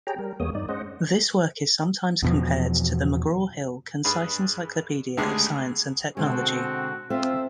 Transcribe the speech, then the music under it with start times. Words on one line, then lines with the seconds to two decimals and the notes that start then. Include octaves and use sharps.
This work is sometimes compared to the "McGraw-Hill Concise Encyclopedia of Science and Technology".
0.07 G4 G#4 C#5 G5 A#5
0.19 G3 A#4
0.40 E2 G#3 A#3 B3 C#5 D#6
0.55 G2 D#4 D5
0.69 G#3 C#4 C5 D#5 F#5
2.23 E2 B2 F3
4.05 G2 G#4 B5
5.17 C#2 D3 G#3 A3 G4 G#4
6.17 B2 D3 G#3 C4 F#4
7.10 C4 F4 A4 C5 E5